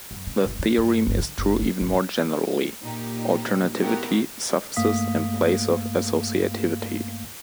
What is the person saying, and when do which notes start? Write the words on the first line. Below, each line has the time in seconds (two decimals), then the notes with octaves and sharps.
The theorem is true even more generally: alternativity suffices in place of associativity.
0.11 F#2
0.27 C#3
0.45 G1
0.59 D#3
0.78 G2
1.07 G1
1.19 D3
1.38 F#1
1.62 B3
1.80 G#1
1.92 E3
2.81 A#2 D#4 G4
3.78 G#3 B3 E4 F#4 G4 A#4
4.76 G2 A3 A#3 F5 D#6 B6